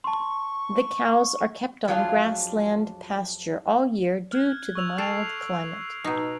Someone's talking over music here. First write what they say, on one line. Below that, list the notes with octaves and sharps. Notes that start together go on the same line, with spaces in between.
The cows are kept on grassland pasture all year due to the mild climate.
A5 C6 C#6
F2 F#3 D4 F4 G#4 F5
F6 F#6 G#6
C#6 E6 F7
A4 C7 D7 F7
B2 D#4